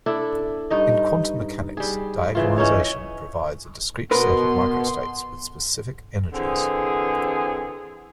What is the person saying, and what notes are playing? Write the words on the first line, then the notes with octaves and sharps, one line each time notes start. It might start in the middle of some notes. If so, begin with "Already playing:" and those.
In quantum mechanics, diagonalization provides a discrete set of microstates with specific energies.
D4 E4 A4
G2 D#4 D#5
G3 G#4
C#3 E3 F4
E3 C#4 D#4 C#5
B2 B3 A#4 B4 C6
D3 E3 C4 G#4